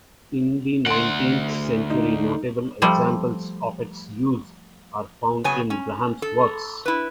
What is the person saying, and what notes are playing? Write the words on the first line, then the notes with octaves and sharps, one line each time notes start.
In the nineteenth century, notable examples of its use are found in Brahms's works.
D2 F#5 C6 D7
D#4
F3 G3 A3
C#3 F#3 B3 C#5 G#5
C#4
A4
E4 B4